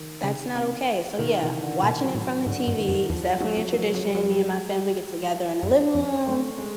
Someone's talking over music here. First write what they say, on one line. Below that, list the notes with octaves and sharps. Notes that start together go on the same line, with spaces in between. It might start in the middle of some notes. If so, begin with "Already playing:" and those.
That's not okay, so yeah, watching it from the TV is definitely a tradition, me and my family get together in the living room
Already playing: D#3
C#3
C3
B2 D#3
B2 E3
C3
D3
B2 D#3
F#3
A2
G#2 D3
G2
D#3
F#2
E2 F3
G#2 F#3
F2
F2 F#3
F#2
G3
F#2
G#3
F#2
F2
F#2 A3
G#3